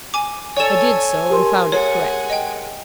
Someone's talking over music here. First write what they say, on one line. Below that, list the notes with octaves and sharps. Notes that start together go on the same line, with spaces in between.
I did so and found it correct.
G#5 D6
A4 C#5 D5 G#5 E7
G4 A#4 C6
G#3 C#5 F#5 G#5
D#5 G5